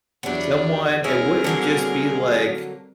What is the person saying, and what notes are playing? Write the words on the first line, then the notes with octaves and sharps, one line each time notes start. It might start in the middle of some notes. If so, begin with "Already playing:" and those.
Someone it wouldn't just be like,
E2 F#3 B3 D4 G4
G3 C4 E4 G#4 A#4 C#5 G#5
D3 F#3 A#3